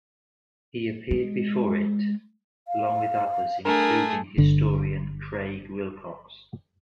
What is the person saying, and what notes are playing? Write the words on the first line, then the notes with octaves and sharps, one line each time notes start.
He appeared before it, along with others including historian Craig Wilcox.
G#3
F5
A3 D4 G#4 A#4
G1 D3